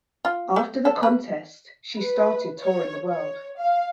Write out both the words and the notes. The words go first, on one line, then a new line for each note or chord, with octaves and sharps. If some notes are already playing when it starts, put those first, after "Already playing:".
After the contest, she started touring the world.
F4
A3
A4
B4
B4
C#5
C#5
F5